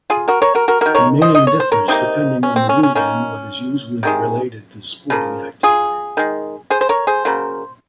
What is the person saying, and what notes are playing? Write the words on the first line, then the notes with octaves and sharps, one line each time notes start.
The meaning differs depending on the region, but is usually related to sporting activity.
F4 G#4
F#4 A#4
A#4 C#5
F#4 A#4
F#4 A#4
D#3 A#3 F#4 A#4
A#4 C#5
C5 D#5
D#5
C#5
C5
A#4 C#5
C3 F#3 A#3 C4 D#4
C#4
C4
C#4
C#4
D#3 A#3 C#4
C3 D#3 G#3
C#3 F3 A#3
F4 G#4
D#3 G#3
G#4 C5
C5
A#4 C#5
G#4 C5
C#3 F#3 A#3